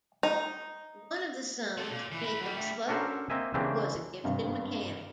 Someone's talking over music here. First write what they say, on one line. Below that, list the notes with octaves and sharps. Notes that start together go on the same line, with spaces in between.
One of the sons, Jacob Sloat, was a gifted mechanic.
D#4
C4 A4
A#2
E3
A#4 B5
F#3 G3
G3 A3
C#4 D4 F#4 A4 A#4 C5
A#3 C4 D#5 E5 G#5
C#3 E3 A#3 C4 D4 G4
G#1 G2 C3